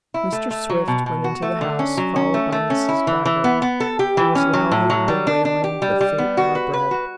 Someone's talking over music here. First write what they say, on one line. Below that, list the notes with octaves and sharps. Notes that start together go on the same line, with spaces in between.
Mr. Swift went into the house, followed by Mrs. Baggert, who was loudly bewailing the fate of her bread.
E4
A3
A3
F#3
B2
B2
F#4
A3
D3
C#4
F#3
C#4
A3
A3
C#4
E4
E3
E3
B3
B3
A4
G4
E3
C#4
F#3
A2
F#3
G3
D4
D4
G4
G3
G3
B3
F#4
B4
B4
F#4